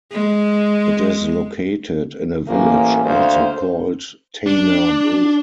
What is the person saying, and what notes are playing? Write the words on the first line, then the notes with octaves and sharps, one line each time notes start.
It is located in a village also called "Tana bru".
G#3
A1 A#3 C#4
D2 C5 F5
D4